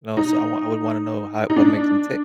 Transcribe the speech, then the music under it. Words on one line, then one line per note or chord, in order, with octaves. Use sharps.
You know, so I wou I would wanna know how what makes him tick,
D#4
D#4
D4